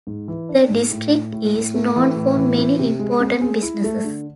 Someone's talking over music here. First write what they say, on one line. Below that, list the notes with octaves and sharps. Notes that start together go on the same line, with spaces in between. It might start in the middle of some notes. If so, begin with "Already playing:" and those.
The district is known for many important businesses.
G#2
E3
D4
G#2
A2
A2
A2
A2
A3
E3
A2
E3
C4
C3
G#3
C4
G#4
E4
A3
D3